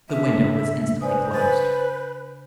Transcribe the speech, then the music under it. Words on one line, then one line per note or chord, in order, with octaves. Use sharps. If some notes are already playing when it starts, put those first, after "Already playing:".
The window was instantly closed.
C#3 D4 E5
B4 C5 D5 G#5 D#6
B4 G#5 A6